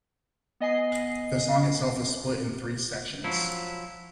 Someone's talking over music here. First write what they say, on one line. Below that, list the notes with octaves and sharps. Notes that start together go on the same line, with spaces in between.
The song itself is split in three sections.
B3 D#5 G#5 C7
F3 F#3 E4